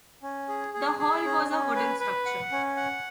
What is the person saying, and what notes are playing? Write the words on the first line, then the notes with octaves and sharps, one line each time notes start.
The hall was a wooden structure.
C#4
G#4
G#4
G#4
C#4
C#4
B4
B4
F#5
C#4
F#5